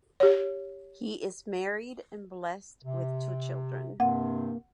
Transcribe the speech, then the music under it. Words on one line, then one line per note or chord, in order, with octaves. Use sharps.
He is married and blessed with two children.
G4 C#5
C3
G2 C3 A#3 C4 F#5